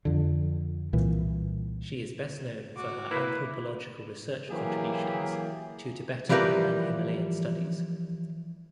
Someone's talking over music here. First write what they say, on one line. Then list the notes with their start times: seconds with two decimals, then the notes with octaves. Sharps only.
She is best known for her anthropological research contributions to Tibetan and Himalayan Studies.
0.05 F2 D3
0.93 C2 A#2 E3
2.76 F#4 D6
3.11 A#3 E4 B4
4.50 E3 F#3 A#3 G4 G#4
6.29 E3 F3 G3 G4 A#4 B4